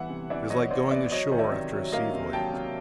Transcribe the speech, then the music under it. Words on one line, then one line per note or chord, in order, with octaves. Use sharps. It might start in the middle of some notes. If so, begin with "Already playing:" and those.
It is like going ashore after a sea voyage.
Already playing: E3 G3 B3 E5 F#5 G#5
C3
E3 D5 E5
E3 C#5 D#5
E3 C5 D5
B3 D5 E5
F#3 C#5 D#5
D#3
D5 E5
C3
F#3
A#3 D#5 F5
C3
F#3 G5 A5
C3